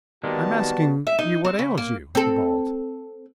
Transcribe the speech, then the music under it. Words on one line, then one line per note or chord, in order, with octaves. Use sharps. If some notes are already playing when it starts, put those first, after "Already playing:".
"I'm asking you what ails you?" he bawled.
D#3 G3 G#3 A#3 B3 F#4 A5
E5
D#4
C4
C#3
A#3
C4 A4